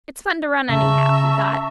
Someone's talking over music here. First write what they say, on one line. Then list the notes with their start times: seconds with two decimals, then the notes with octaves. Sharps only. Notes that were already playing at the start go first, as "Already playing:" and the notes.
"It's fun to run, anyhow," he thought.
0.69 C#3 E5 A5 A#5 C#6